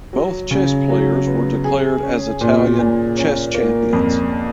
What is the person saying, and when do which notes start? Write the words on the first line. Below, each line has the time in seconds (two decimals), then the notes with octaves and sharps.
Both chess players were declared as Italian chess champions.
0.13 F#3
0.51 C#3
0.89 F#3
1.27 B3
1.64 G#4
2.03 C#4
2.41 A#2
2.79 A#2
3.17 C#4
3.55 A#3
3.93 F2